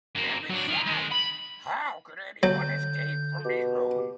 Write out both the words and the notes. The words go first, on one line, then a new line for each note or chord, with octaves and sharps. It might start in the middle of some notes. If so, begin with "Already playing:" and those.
And besides, how could anyone escape from these rooms?
F#2 A#3
F#3 D4
D#3 F4
D#3 G#3
B5
D3 F#3 G6
B2 G4